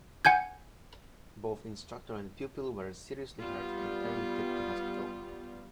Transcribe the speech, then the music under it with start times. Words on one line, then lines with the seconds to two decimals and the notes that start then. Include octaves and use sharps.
Both instructor and pupil were seriously hurt and airlifted to hospital.
0.25 F#5 G#5 G6 G#6
3.40 G3 B3 F4